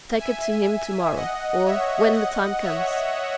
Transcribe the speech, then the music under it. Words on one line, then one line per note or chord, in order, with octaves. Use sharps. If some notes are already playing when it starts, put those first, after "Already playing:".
Take it to him to-morrow or... when the time comes.
E5 G#5
D#5 F#5
C#5 E5
D#5 F#5
C#5 E5